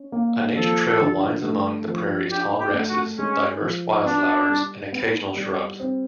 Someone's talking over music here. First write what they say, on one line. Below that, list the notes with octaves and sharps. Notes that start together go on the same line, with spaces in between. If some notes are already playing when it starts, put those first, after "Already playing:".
A nature trail winds among the prairie's tall grasses, diverse wildflowers, and occasional shrubs.
Already playing: C#4
A#3
F3 A4
D3
A3
F3
D4 G4
G4
A3
F#4
G#3 C#4
F3
B3 D4
G3
B3
G3
C4